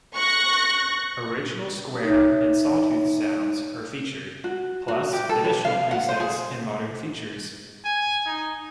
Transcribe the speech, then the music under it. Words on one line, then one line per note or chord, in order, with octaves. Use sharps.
Original Square and Saw tooth sounds are featured, plus additional presets and modern features.
C#6 F#6 A#6
D#4 C#5 E5
F#4
F#4
G4
A4
B4
F5
F#5
C5
G#4
G#5
D#4